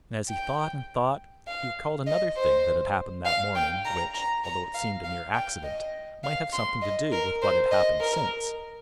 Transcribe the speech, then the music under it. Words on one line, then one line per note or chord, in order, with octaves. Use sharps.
And as he thought and thought, he recalled another thing that had happened that morning, which, although it seemed a mere accident, might have something to do with what had happened since.
G5
F5
D#5
C5
F5
G5
A#5
A#5
A#5
F5
F5
G5
D#5
F5
C6
D#5
A#4
C5
D#5
A#4